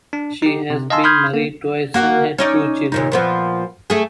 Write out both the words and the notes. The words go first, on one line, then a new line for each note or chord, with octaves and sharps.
She has been married twice and had two children.
D4
D#4 G4
C3
D#5 F5 G#5 A5 C6 E6
B5 C6 D#6 F6 G6 G#6
A#3
A#3 F#4
C#4 D#4 D5
D#2 A#2 D#4
A#2 F3 B3
A3 G#4